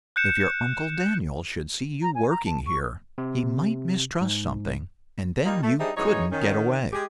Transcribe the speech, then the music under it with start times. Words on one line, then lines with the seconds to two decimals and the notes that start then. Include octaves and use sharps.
"If your uncle Daniel should see you working here, he might mistrust something, and then you couldn't get away."
0.16 F#6 G6 C#7 E7
2.03 A#5
2.15 G#5
2.30 A#5
2.46 A5
2.66 C#6
3.18 C3
4.21 G#2
5.45 G3 A#3 D#4 F4
5.63 A3
5.79 G3 D4 D#4 G#4 C5 E5
5.97 F#2 E3 D#4 G#4 C#5
6.31 D#3 C#4
6.92 G#3 G4 G#4